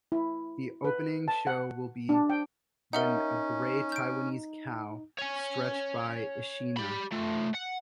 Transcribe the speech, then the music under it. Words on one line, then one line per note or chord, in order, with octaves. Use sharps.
The opening show will be When a Gray Taiwanese Cow Stretched, by Ishinha.
E4
B4
A5
F#5
D4
G5
C#4 D#4 A#4 E5 F#5
G6 D7
C#5 G#5
G4 B5
A3 F4
F#5